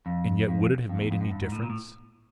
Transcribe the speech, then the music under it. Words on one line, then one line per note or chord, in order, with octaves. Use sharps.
And yet would it have made any difference?
F2
F2
F2
E2
F2
F#2
G2
G#2
A2
A#2
A2